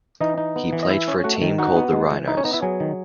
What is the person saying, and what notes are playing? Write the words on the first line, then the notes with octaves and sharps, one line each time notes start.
They played for a team called The Rhinos.
E3 D#4 D#5
D#4
B3
E3
D#5
E4 E5
C#4
A3 F#4 F#5
D#3
D#4 F#4 F#5
B3
G#3
E3
D#4 E4 E5
C#4 C#5
B3 D#4 D#5
E4 E5
F#3 G#4 G#5
D#3